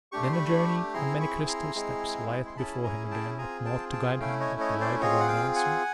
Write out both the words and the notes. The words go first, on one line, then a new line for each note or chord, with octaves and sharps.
Then a journey of many crystal steps lieth before him again with nought to guide him but the light of Omrazu.
A3 D4 G4 C#6
C6
B5 C#6
C4 E4 G#4 A#5 C6
B5 C#6
A#5 C6
G#3 C4 E4 G#4
C6
C#4 E4 G#4 A5 B5
G#5 A#5
G5 A5
C4 F4 G#4 G#5 A#5
G5 A5
G5 A5
A3 C#4 E4 F5 G5
C#5 D#5
C#5 D#5
C5 D5
C4 F4 G#4 C#5 D#5
F#5
F5 G5
F#5 G#5